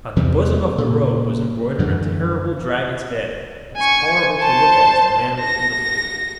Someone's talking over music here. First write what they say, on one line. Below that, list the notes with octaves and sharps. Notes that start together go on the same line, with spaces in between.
On the bosom of the robe was embroidered a terrible dragon's head, as horrible to look at as the man was beautiful.
E2 C3 E3 G3
A#2 C#3
F#2 D3 E3 A3
G#5 C#6
C5 A5
A#6